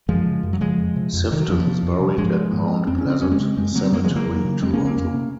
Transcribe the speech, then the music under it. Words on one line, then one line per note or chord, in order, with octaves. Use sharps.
Sifton is buried at Mount Pleasant Cemetery, Toronto.
F#2 F3 G#3
C#3
F#2
F#3
C#3 F3 G#3
F2
C3
F2
C3 D#3
F#3
F2 F3
C3
F2
C3
G#2 F3 G#3
G#2
F2 C4
C#4
C#3 C4
F2 C#4
G#3 C4
C#3
F#2 G#3 C4
C#3 F#3 A#3
C4
F#2 F#3 A#3
F3 G#3
C#3
F#3 A#3
F2
C#3
F2 G#3 C4
A#3 C#4
C#3
A#3 C#4
F2
C3